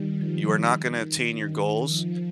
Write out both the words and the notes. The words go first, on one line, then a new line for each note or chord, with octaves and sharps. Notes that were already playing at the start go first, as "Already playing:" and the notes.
you are not gonna attain your goals.
Already playing: D#3 G3
F3
D#3
F3